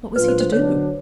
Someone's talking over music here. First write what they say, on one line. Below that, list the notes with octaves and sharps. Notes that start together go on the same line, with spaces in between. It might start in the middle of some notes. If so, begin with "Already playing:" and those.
What was he to do?
A#2 F#3 A#3 D4 F4 B4
C5
C5
D3 F#3 B3 D4 C#5